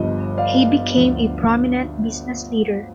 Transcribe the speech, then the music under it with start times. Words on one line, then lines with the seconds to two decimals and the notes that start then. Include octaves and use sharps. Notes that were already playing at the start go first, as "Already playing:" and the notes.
He became a prominent business leader.
Already playing: G1 G2 F3 D#5
0.37 D5 F5
0.96 D2 D3 F3